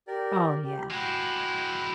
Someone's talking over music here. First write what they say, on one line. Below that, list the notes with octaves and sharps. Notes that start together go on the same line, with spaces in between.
Oh, yeah.
G4 A#4 D5
G4
G#3 E4 F#4 G5